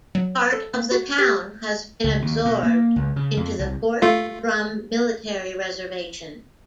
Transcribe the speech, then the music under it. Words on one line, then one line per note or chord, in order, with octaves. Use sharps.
Part of the town has been absorbed into the Fort Drum Military Reservation.
F#3
A4
A#3
F#4
G4
C#2
D#2
B2
A#3
C#2
C#3
F2
C2
A3 F4